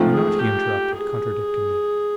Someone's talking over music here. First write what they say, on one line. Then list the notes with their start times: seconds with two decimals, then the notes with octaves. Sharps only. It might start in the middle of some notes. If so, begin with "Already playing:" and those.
"Why not!" he interrupted, contradicting me.
Already playing: G#2 F3 A3 C4 F4
0.11 G#4
0.39 G4
0.95 G#4